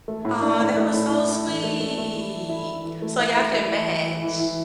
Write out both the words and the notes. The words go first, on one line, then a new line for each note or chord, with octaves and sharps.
Aww, that was so sweet, so y'all could match.
A3
A2
D4
A2
A3
A2
D4
D4
E3
A3
A3
A3
E4
E3
E4
E4
E3
A3
E4
A3
E4
E3
E3
E3
E3
E3